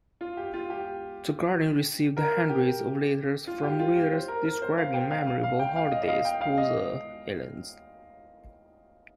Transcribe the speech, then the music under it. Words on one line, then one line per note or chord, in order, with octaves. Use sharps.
"The Guardian" received hundreds of letters from readers describing memorable holidays to the islands.
F4
G4
F4
G4
A#4
G4
F4
G4
F4
G4
C5
A#4
A#4
C5
F5
G5
F5
F5
F5
G5
F5
D#5
D#5
F5
G5
F5
D#5